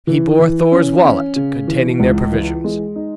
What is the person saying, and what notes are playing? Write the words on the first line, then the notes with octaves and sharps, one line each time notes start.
He bore Thor's wallet, containing their provisions.
E3
E3
C#4
C#4
C#3
E3
C#2
E3
G#3
D#4